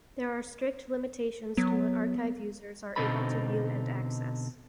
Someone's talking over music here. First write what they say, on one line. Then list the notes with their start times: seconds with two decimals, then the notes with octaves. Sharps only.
There are strict limitations to what archive users are able to view and access.
1.57 F#3 B3
2.96 B2 D3 C4 D#4 A4 B5